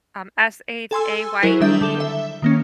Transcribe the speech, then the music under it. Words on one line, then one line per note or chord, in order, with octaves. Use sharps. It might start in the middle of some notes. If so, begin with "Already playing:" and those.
Um, S-H-A-Y-E,
A4 G#5 C6 E6
F#3 E4 G#4 A#4 C5
D#3 G3 D4 E5 G6
D3 A4 G7
E5
D#3 A#3 C#4